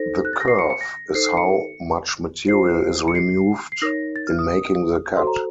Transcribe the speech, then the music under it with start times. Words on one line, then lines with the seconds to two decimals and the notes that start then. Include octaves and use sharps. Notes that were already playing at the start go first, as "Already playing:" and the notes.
The kerf is how much material is removed in making the cut.
Already playing: D#4 A4 C5 A#6
0.25 F#6
0.33 A6
0.40 A#6
0.48 C7
0.59 C#7
0.70 C#7
0.81 A#6
1.15 D#4 A4 C5 C7
1.26 C7
1.37 C#7
2.48 F4 C5 C7
3.08 C#7
3.15 C7
3.72 C7
3.82 D#4 A#4 C#5 A#6
4.16 A6
4.27 F6
4.39 D#6
5.16 F#4 A4 C5 C6
5.27 A#5